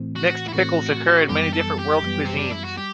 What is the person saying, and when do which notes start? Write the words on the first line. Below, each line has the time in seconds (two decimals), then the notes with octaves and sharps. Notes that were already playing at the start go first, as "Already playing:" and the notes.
Mixed pickles occur in many different world cuisines.
Already playing: A2 E3 A3 C4
0.16 F#4
0.48 E4
0.53 A2 E3 A3 C4 F#4
1.28 F#2 E3 G3 B3 G4
1.53 A4
1.79 G4
2.03 F#2 E3 G3 B3
2.25 C4
2.38 D4
2.51 E4
2.64 F#4
2.77 G3 G4